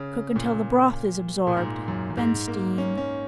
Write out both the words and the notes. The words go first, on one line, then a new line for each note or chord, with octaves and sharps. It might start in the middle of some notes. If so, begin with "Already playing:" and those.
Cook until the broth is absorbed, then steam.
Already playing: C#3
A#2
A#2
G#2
F#2
F#2
G#2
A#3
C#4
C#4